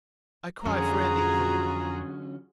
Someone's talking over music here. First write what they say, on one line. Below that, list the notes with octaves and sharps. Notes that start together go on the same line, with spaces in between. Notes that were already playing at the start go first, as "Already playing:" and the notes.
I cry for anything.
F2 D3 F#3 C#4 F4 F#4 G#4 A#5